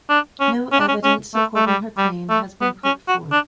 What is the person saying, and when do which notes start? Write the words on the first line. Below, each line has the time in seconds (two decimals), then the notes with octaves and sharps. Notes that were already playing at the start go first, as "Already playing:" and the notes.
No evidence supporting her claim has been put forth.
0.10 D4
0.40 C#4
0.72 C#4
0.80 D4
0.88 C#4
1.04 C#4
1.35 A3
1.56 A3
1.67 G3
1.98 G3
2.29 A3
2.61 B3
2.84 C#4
3.08 F#4
3.32 D4